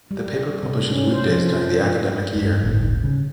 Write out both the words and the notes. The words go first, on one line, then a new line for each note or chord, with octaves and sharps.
The paper publishes weekdays during the academic year.
G3
C3
C#4
C5
F3
G2
G1 D2 A2
C#3